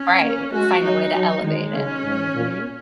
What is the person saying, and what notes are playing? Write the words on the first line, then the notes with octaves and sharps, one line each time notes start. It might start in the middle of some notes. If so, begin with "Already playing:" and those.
Right, find a way to elevate it, mhm.
Already playing: C#4
A#3
G#3 F#4
F#3 D#4
F#3
D#3 G#3
C#3 C#4
G#2
A#2